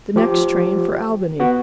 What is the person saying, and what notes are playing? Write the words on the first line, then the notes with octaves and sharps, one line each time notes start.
"The next train for Albany."
F3 G4
B3 F#4